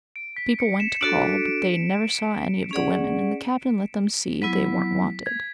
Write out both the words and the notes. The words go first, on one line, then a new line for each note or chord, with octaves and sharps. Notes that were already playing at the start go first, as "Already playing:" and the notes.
People went to call but they never saw any of the women and the Captain let them see they weren't wanted.
D7
B6
C#7
E7
D4 F#4 A4 D7
C#4 G#4 D5 F#5
F#3 B3 E4 B6
G#6